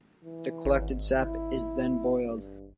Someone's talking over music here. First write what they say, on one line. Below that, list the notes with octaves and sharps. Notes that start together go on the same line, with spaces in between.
The collected sap is then boiled.
E3
G#1
E4
G2